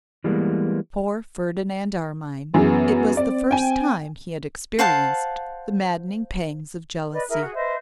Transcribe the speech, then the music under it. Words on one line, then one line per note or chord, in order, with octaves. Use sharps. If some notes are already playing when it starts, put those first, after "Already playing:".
Poor Ferdinand Armine! it was the first time he had experienced the maddening pangs of jealousy.
E3 G3 G#3 A#3 B3
F#2 E3 B3 G#4
C4 D5
G5 G#5
C5 F5 F#5 A5
B4 D5 D#5
E4 G#4 A#4 E5
F#4 G#4
B4 C5 D#5 E5